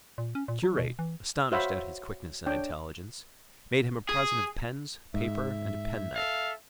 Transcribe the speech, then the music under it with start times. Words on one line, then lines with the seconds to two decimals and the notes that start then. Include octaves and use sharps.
The curate, astonished at his quickness and intelligence, made him a present of pens, paper, and a penknife.
0.18 A#2
0.35 C#4
0.48 A#2
0.63 F#3
0.77 B2
0.99 E3
1.52 F#4 C5 C#5 E5 F5 B5
2.46 D4 C#5 G5
4.09 G#4
5.14 G#2 E5
6.16 A4 F5